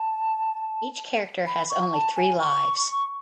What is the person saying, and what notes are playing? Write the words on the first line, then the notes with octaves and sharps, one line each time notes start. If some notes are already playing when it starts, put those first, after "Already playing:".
Each character has only three lives.
Already playing: A5
B5
C#6
A5
G#5
C#6